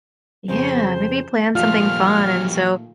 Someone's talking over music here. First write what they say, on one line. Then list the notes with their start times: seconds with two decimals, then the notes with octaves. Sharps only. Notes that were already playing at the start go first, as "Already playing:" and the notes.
Yeah, maybe plan something fun, and so
0.48 F2 C#3 C5
1.55 A#2 D#3 F3 G3 A3 F4 F6